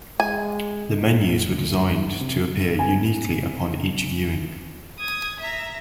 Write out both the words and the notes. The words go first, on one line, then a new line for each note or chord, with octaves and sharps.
The menus were designed to appear uniquely upon each viewing.
G#3 G#5
A#2
D2
G2
C3
B3 C4 G#5
D#6 G#6
E5 A#5